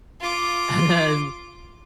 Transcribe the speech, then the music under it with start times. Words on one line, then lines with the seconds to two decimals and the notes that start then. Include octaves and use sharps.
And then
0.21 F4 D6